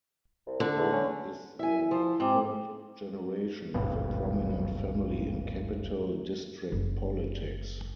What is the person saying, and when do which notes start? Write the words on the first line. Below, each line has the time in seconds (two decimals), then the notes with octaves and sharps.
He is the third generation of a prominent family in Capital District politics.
0.47 C2
0.60 D3
0.78 E2
0.92 C#4
1.59 E4 E5 G#5
1.91 F3 C5
2.20 G#2 C4 G5 D6
3.74 D#1 G#1 G2 B2
6.72 F#1